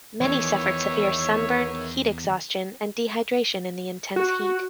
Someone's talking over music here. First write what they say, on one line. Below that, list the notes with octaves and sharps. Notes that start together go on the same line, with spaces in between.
Many suffered severe sunburn, heat exhaustion and dehydration in the intense heat.
E2 D#3 C#5 E5
F#4